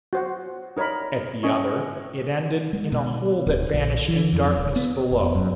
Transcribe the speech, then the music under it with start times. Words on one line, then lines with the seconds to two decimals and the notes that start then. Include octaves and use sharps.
At the other it ended in a hole that vanished in darkness below.
0.13 F#4 C5 F#5
0.77 D#4 A#4 C#5 D5 B5
1.43 C#4 D#5 C#6
2.73 G#3
2.92 B2
3.47 D1
3.74 A#1
4.08 E3
4.33 F2
4.57 D#1
4.76 B3
5.11 F1
5.35 F#2